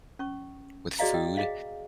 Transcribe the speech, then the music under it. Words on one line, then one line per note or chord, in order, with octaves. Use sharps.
with food,
C#4 C#6
F#4 G#4 D5 D#5 F5 A#5
D#5 G5
G#4 D#5 F5